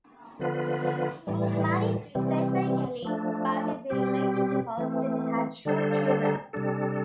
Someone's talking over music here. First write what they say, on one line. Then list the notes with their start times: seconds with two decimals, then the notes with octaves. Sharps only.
He was married to Casey Kelley, but they later divorced; they had two children.
0.39 D3 F3 B3 F4 B4
1.27 A2 E3 G3
2.15 C3 E3 G3 C4
3.02 F3 A3 D4
3.90 B2 G3 C4 G4
4.78 E3 A3 C4
5.65 D3 G3 D4 A4 C5
6.53 C3 G3 D4 A4